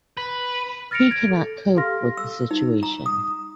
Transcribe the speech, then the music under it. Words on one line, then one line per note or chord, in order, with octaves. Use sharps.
He cannot cope with the situation.'
B4
F6 A6 A#6 C#7 D7 F7
G#6 D7
A4
G4 A4 F5 C6 F6 A#6
E6
D#4
A#5
D#6